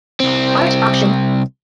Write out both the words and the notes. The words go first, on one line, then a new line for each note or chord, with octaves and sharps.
Art Auction.
C2 C4